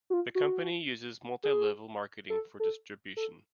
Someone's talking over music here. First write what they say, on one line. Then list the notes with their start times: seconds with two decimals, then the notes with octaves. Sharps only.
The company uses multi-level marketing for distribution.
0.10 F#4
0.13 F4
0.35 F#4
1.44 G#4
2.30 A4
2.60 A4
3.17 A4